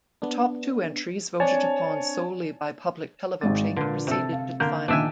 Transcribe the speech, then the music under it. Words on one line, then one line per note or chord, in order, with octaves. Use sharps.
The top two entries voted upon solely by public televoting proceeded to the final.
B3 D4
C4 D4 C#5 G#5 A5
G#1 G#2 A6
A#2 D3 D4 F4 B4
C3 A4
F5
D3 A#3 G6
A#1 D#3 D4 E5 G#5 D7